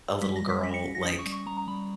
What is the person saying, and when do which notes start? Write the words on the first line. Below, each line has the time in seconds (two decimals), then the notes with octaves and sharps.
a little girl?" Like
0.22 G3 B6
0.36 A#6
0.42 G3
0.49 B6
0.63 C#4 B6
0.74 C#7
0.84 C#4
0.95 A#6
1.05 C#4 D#6
1.19 C#6
1.26 G3
1.32 C#6
1.46 G3 A#5
1.57 A#5
1.67 G3 B5